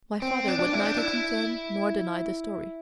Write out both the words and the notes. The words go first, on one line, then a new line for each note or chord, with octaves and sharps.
My father would neither confirm nor deny the story.
C4
D4
D4
E4
C4
D4
E4